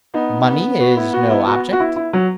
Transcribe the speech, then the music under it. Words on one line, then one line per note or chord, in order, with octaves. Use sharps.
"Money is no object?"
B3 D#4
B3
F#4
E4
F#4
E4
F#4
F#4
E4
E4
F#3